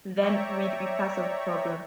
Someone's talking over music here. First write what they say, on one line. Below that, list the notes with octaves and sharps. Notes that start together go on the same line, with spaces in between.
Then we’d be part of the problem.
C#5 D5 E5 G5 A#5 C#6